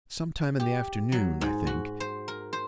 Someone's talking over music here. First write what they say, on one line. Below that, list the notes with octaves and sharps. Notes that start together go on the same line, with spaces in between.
Some time in the afternoon, I think.
G4
F#3
G#2
F#4
C5
A#4
C5